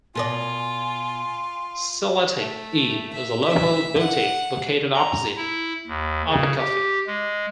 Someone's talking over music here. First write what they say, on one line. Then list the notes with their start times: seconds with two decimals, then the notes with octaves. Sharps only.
Eclectic E is the local boutique located opposite Oppikoffie.
0.15 B2 F4 A#4 D5 G#5
2.37 A3
3.13 E5
3.48 E5
3.98 F#5
4.94 A#5
5.36 E4
5.87 D#2
6.29 C#3
6.58 G4
7.07 G#3